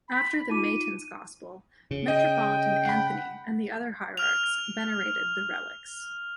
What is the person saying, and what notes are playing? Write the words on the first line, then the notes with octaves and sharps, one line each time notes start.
After the Matins Gospel, Metropolitan Anthony and the other hierarchs venerated the relics.
B5
D#4 F4 D6 D#7
C#3
D#5 G5
F#5 B5
F6 F7